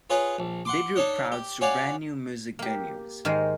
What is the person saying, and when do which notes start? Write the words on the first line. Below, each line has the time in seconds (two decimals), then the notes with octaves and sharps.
They drew crowds to brand new music venues.
0.10 F4 G#4 B4 C#5 D#5
0.39 A#1
0.65 F#5 C6 D6
0.96 D4 D#4 C#5 D#5
1.32 G4
1.61 C#4 F#4 C#5 D5 F5
2.59 A#3 G4
3.25 G#2 D#3 G#3 A#4 C5